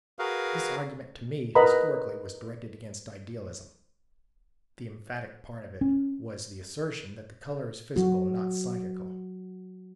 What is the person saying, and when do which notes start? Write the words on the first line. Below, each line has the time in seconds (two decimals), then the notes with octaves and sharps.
This argument, to me historically, was directed against idealism: the emphatic part of it was the assertion that the colour is physical, not psychical.
0.19 F#4 G#4 A#4 B4 F5
1.55 A#4 B4 D#5 F#5 A#5 B5
5.81 C#4
7.96 F#3 F#4